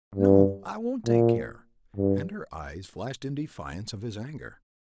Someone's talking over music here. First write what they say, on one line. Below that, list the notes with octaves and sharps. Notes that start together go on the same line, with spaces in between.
"No, I won't take care!" and her eyes flashed in defiance of his anger.
G2
A#2
G2